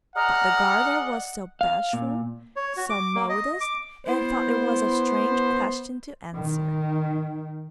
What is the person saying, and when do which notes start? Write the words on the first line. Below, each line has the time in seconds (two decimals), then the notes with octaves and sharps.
But the garter was so bashful, so modest, and thought it was a strange question to answer.
0.16 G#4 D5 D#5 F#5 A#5 F6
1.61 F5
1.93 A#2
2.56 C#5
2.77 F#4
2.90 D6
3.16 A#3
3.29 D#5
3.61 D6
4.06 B3 E4 C5
6.35 D#3